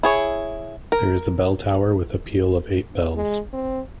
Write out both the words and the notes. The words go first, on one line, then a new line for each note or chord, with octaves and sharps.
There is a bell tower with a peal of eight bells.
E4 G#4 C#5
A#4
G#3
C4